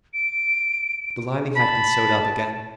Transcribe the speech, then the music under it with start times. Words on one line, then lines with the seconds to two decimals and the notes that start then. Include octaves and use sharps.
The lining had been sewed up again.
0.14 D7
1.56 A5 B5